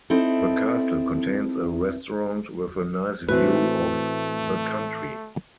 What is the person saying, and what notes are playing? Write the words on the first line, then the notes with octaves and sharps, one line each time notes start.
The castle contains a restaurant with a nice view of the country.
C4 D#4 E4 A4
A2 E3 A3 C4 F#4 B4